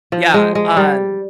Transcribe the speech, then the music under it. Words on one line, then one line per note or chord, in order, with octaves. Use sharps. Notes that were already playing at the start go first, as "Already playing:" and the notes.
Yeah, um,
F3
G#3
G#3
G3